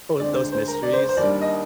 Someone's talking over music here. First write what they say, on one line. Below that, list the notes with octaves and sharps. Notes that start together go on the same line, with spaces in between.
all those mysteries.
D2 D3 G#3 C4 D5
C5
C5
A#4
D5
C5
C5
D#2 D#3 G3 D4 D5
D#5